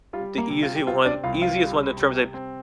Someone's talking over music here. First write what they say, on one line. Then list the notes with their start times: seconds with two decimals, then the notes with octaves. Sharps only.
the easy one easiest one in terms of
0.13 G3 F4
0.38 A#3 A#4
0.50 C3
0.63 F4
0.76 G4
0.87 C4 F4
1.05 D4 D5
1.23 C2 F4 F5
1.42 F4 F5
1.60 G3
1.97 C3
2.34 C4